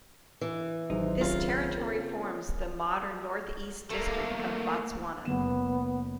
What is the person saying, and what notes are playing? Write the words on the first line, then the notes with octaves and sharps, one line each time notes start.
This territory forms the modern North-East District of Botswana.
E3
A1 G#2 C3 D#3 F#3 G#3 D#4
C#3 A#3 C4 C#4 F4
A#4
A3 A#3
F#1 B3 E7